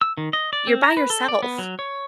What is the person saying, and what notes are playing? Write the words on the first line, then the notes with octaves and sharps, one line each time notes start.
you're by yourself.
E6
D#3
D#5
D5
C4
A#5
B4
A4
D5
B3
F#3
C#5